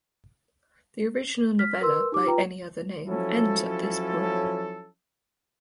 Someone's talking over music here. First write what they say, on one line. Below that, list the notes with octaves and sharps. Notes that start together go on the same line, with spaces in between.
The original novella "By Any Other Name" ends at this point.
F6 B6
A#4 B4 C6 E6
D#4 G4 D6
F4 B4 G5 A#5
F3 F#3 C#4 E4 A4